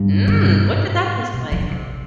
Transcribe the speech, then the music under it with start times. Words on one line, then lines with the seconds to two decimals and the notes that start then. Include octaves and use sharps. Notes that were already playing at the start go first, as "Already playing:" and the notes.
Mm! What did that taste like?
Already playing: G2
0.28 D3
0.40 C3
0.51 B2
0.62 G#2
1.33 B2
1.52 F3
1.60 D3
1.69 C3